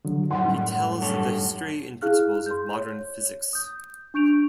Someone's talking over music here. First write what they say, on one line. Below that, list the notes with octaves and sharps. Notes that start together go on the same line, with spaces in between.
He tells the history and principles of modern physics.
D3 F#3
F#2 A2 G3 D#4 F#5 C6
G2 A4 C#5
E4 G#4 F5 F6 F#6
C6 G6
C#5
D#6 G6
D4 C#6 G6 D7 F7